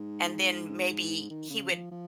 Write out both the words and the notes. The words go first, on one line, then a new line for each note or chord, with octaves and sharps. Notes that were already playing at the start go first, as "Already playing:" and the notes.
and then maybe he would
Already playing: G#2
D#3
C#3
F3
F3